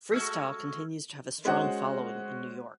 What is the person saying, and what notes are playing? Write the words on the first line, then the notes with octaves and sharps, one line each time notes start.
Freestyle continues to have a strong following in New York.
G#3 A3 F#4 E6 F6 G#6
G#3 C#4 F#4 C5 F#5